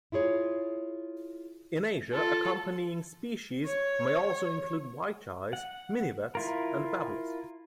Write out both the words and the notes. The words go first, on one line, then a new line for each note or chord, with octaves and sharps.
In Asia, accompanying species may also include white-eyes, minivets and babblers.
E4 F4 G#4 C#5
F4 A4
C#5
F#5
E4 F4 A#4